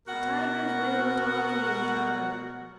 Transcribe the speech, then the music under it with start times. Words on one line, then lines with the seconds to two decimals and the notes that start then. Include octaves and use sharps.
The tigers went on talking in turn.
0.08 B2 F#4 A#4 F#5